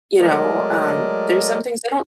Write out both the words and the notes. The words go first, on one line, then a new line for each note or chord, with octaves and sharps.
You know, um, there's some things they don't
F#3 G#3 A3 A#4 D5 D#5